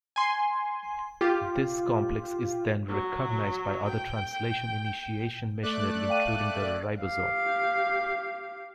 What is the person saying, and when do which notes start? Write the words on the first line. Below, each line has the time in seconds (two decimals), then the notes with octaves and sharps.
This complex is then recognized by other translation initiation machinery including the ribosome.
0.16 G#5 C6
1.21 F4 G4
2.89 F#3
3.89 G5
5.63 A3 D5 F#6
6.09 F5 G5 D#7
7.02 G4 F5